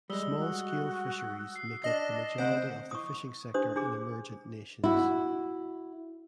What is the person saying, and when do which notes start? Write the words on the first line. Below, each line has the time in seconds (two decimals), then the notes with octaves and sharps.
Small scale fisheries make up the majority of the fishing sector in emergent nations.
0.10 G3 G#3 D#6 E6 G7
0.39 F#4
1.56 C7
1.84 D4 D#5 D#6 A#6 E7
2.38 D2 C3 C5 D#5 F#5 D7
2.91 C#6 D#6
3.54 D4 G4 C5 D#6
3.76 D4 G4 G#4 D6
4.84 E4 F#4